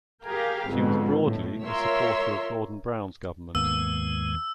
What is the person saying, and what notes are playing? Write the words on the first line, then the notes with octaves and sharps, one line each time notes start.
She was broadly a supporter of Gordon Brown's government.
G4 G#4 A#4 F5 G5
F2 G#2 B2 D3 G#3
A2
F4 A#4 C#5 E5 C6 E6
D#2 G#2 G#3 A#3 B3 E6